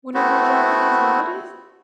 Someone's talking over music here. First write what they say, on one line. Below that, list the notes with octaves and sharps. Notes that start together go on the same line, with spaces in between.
One of your Japanese melodies?
A3 B3 C4 E4 F#4